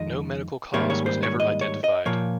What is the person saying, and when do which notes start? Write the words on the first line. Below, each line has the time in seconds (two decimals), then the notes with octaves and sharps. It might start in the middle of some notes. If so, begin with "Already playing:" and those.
No medical cause was ever identified.
Already playing: F2 D#3 G#3 D#5
0.73 G#2 D#3 G3 A#3 C#5
0.90 C#5
1.06 C5
1.23 C#5
1.40 D#5
1.61 C#5
1.84 D#5
2.06 A#2 F3 A#3 C#5